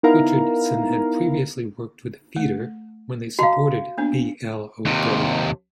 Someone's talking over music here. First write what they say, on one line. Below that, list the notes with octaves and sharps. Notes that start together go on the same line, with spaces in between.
Richardson had previously worked with Feeder when they supported b.l.o.w.
B3 D#4 E4 A#4 F5 A#5
A3
F#4 D#5 F5 A5 A#5
A#3 B3 D4
D#2 C3